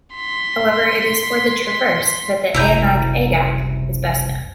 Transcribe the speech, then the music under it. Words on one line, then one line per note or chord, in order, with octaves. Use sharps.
However it is for the traverse that the Aonach Eagach is best known.
C6 B6
F#1 C2 E4 A#5 G6